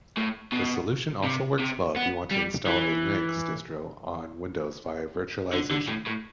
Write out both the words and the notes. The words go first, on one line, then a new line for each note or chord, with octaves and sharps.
This solution also works well if you want to install a Linux distro on Windows via virtualization.
A2
B2
C3
C3
B3
G3
E3
D3
D3
A2
A2